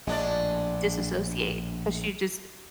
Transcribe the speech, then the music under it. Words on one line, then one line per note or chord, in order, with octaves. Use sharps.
disassociate 'cause she just
A#1 A2 G#3 D4 D5